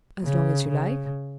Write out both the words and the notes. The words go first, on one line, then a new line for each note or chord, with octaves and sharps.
"As long as you like."
C#3
C#3